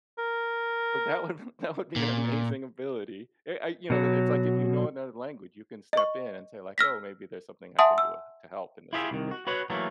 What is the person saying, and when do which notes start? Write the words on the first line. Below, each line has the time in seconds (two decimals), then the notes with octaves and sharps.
so that would that would be an amazing ability. Eh, I you know, it's, like, if you know another language, you can step in and say, like, "Oh, maybe there's something I can do w to help in this situation."
0.18 A#4
1.96 A#2
3.90 B2 F#3
5.93 D#5 C#6
6.78 E6 F6 A#6 B6
7.79 E5 F#5 G#5 A5 C6 D#6
7.98 E6
8.93 E4 F4 G4 G#4 D5 E5
9.11 C2 D#3
9.31 F#4
9.47 F#4 B4 C#5 F#5
9.70 E3 F#3 A3 A#3